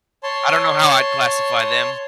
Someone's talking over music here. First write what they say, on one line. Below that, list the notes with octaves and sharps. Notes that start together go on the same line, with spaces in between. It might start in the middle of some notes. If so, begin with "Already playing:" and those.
I don't know how I'd classify them.
C#5 A5 C6